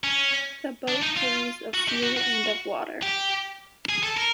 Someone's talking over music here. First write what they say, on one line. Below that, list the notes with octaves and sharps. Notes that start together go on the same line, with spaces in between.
The boat carries of fuel and of water.
C#4
D4
D#4
F4
F#4
G4
F#4
F#4
G4
G#4
A4
A#4